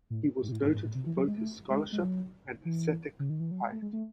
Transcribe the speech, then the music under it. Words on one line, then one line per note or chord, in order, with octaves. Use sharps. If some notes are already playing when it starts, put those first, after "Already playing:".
He was noted for both his scholarship and ascetic piety.
A2
G#2
C3
A2
G#2
G#2
A2
C3
E3
F#3
G#3
A3
G#3
G#3
F#3
E3
C#3
D#3
E3
F#3
G#3
A3
G#3
A3